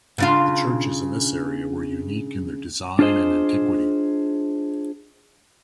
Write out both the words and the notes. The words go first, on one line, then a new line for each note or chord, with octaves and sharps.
The churches in this area were unique in their design and antiquity.
C#3 D4 F4
D4 F4 G#4 C5 D#5